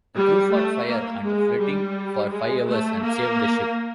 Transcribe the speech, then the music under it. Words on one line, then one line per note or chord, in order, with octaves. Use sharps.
The crew fought fire and flooding for five hours and saved the ship.
G3
A3
A#3
G#3
G3
G#3
A3
A#3